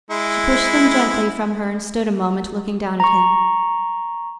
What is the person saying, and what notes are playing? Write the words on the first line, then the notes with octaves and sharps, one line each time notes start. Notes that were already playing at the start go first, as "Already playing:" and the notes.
She pushed them gently from her and stood a moment looking down at him.
G#3 E4
A#5 C#6